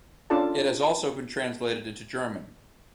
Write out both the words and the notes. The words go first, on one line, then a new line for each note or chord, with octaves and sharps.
It has also been translated into German.
C#4 D4 F4 A4 D5 A5